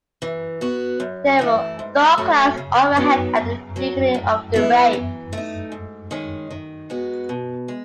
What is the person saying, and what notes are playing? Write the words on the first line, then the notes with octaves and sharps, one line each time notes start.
There were dark clouds overhead at the beginning of the race.
E3
B3 F#4
F#2
E3 A3 E4
G#2
F#3 A3 C#4 F#4
C#3
F#3 B3 D#4
C#3
F#3 C#4
A2
E3 B3 E4
E3
A3 D#4
G#2
D#3 G#3 C#4
D#3
G#3 B3 F#4
B2
G#3